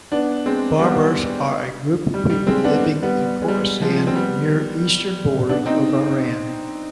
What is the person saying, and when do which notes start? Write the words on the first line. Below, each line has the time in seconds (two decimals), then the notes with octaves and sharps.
Barbars are a group of people living in Khorasan near eastern borders of Iran.
0.12 B3 D4
0.46 G#3 C4
0.79 G3 B3
2.14 G3
2.30 G3
2.47 G#3 C4
2.64 B3 D4
3.03 G3 B3
3.26 G3
3.42 G#3
3.48 G3
3.81 F3 G#3
4.07 C4
4.15 G3 B3
5.49 B3 D4
5.66 C4 D#4